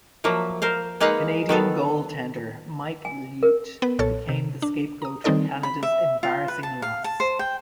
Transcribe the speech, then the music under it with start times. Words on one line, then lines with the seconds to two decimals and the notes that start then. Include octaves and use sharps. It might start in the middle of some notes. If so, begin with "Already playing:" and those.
Canadian goaltender Mike Liut became the scapegoat for Canada's embarrassing loss.
0.24 F3 F#3 A#3 E5
0.62 A#4 C5 F5
1.00 G#3 A#3 D#4 B4 F5 F#5
1.49 D#3 B3 A4
3.05 G#5
3.43 A#4
3.82 B3 B4
3.99 B1 A#2 A4 C#5 A5
4.29 C3
4.62 D4
5.02 A#5 D#6
5.24 D#3 G3 C4 D#4 A4 D5
5.63 B5
5.83 E5
6.23 F4
6.48 B4
6.63 A5
6.82 F5
7.04 A5
7.20 C5
7.39 G5